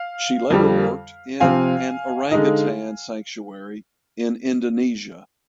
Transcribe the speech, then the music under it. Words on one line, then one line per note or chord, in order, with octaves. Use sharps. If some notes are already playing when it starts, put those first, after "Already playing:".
She later worked in an orangutan sanctuary in Indonesia.
Already playing: F5
F2 D3 G3
C3 F3 C4 F5 G#5
D3 G#3 D#4